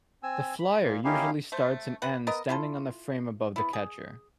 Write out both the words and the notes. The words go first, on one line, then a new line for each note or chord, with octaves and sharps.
The flyer usually starts and ends standing on the frame above the catcher.
C4 G#5 E6
B5
A#2 A#3
A#3 C#4 D#4 E4 G4 F5
A3 C5
B4 F#5
B3 A#4 D#5
E4 F4 A4
B3 E4
G#4